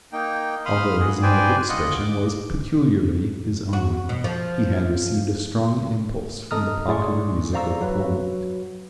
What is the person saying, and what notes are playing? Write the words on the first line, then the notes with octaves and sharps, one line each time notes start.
Although his mode of expression was peculiarly his own, he had received a strong impulse from the popular music of Poland.
A#3 D#4 G5
F5 B5 C6 D#6 F6
F#4 G#4
B4 C5 D5 G5 G#5
F4 D#5 F#5
D6
F#4
B2
F3
A4 D#5 A#5 D#6 F6
A2 G#4 D5 C6 C#6
C5 D5 F5 A#5 C#6 E6
F#3 F#4 B4